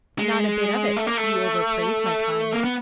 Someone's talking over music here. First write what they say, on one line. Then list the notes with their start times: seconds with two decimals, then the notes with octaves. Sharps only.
'Not a bit of it; you overpraise my kind.'
0.19 G#3
0.97 A3
1.07 A#3
1.17 A3
2.53 A#3
2.64 B3